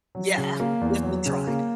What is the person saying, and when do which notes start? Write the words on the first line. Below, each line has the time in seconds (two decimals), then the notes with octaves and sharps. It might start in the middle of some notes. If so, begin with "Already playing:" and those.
Yeah, if you tried.
0.15 F#3
0.38 C#3
0.60 A#3
0.81 E2
1.03 F#3
1.26 C#3
1.47 A#3